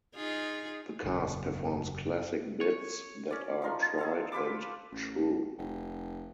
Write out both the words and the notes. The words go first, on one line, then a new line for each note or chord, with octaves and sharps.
The cast performs classic bits that are tried and true.
D#4 F4 G#4
F#1 E2 A#2
C#5
C#4 D5
F3 D#4 A#4 C6
G#4 A4 F5
F4 G4 B4 D6
A1
F1